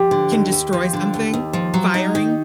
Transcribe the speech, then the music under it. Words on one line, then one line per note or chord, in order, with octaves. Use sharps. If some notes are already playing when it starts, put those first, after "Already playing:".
can destroy something? Firing?
Already playing: F3 G4
D3
D#2
D#2
F3
D3
D#2
D#2
F3
F#3
D#4
D#3